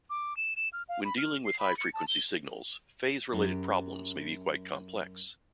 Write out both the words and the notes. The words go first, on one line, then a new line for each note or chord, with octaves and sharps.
When dealing with high frequency signals, phase-related problems may be quite complex.
D6
E7
E7
F6
F5
B5
F6
C7
B5
C#7
A5
G7
F#2 G4